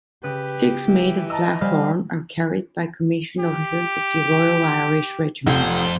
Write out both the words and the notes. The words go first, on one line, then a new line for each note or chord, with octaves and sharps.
Sticks made of Blackthorn are carried by commissioned officers of the Royal Irish Regiment.
C#3 G4 B4
E3
D#5 A5 A#5 E6
G3 C5 F5 G#5
G4
F1 F2 C5